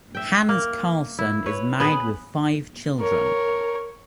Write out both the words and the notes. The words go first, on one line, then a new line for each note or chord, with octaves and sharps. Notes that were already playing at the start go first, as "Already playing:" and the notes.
Hans Karlsson is married with five children.
E5 G5
A#3
E4
B4 C#5
B3 G#4 B4
A#4 C#5